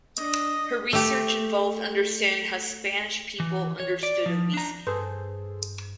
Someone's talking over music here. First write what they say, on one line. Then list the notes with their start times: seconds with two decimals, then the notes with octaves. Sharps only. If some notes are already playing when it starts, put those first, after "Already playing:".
Her research involved understanding how Spanish people understood obesity.
0.18 D4 D#5
0.93 A3 G4
3.40 E3
3.80 C#5
4.03 D5
4.26 F3
4.54 D4 A#5
4.87 G2 G#4 A4 B4 C5